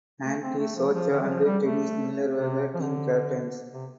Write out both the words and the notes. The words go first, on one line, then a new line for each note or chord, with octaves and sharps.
Andy Socha and Dennis Miller were the team captains.
A3
C4
A3
F3
G3
F3
D3
G3
F3
G3
A3
C3
F3
D3
C3